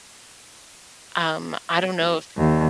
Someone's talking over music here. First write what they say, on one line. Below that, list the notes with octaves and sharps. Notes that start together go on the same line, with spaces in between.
Um, I don't know if
D#2